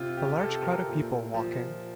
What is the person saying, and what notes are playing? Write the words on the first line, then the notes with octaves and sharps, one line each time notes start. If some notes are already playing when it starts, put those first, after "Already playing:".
A large crowd of people walking.
Already playing: C3 F4
G4
C3 A4
A#4
A#2
F3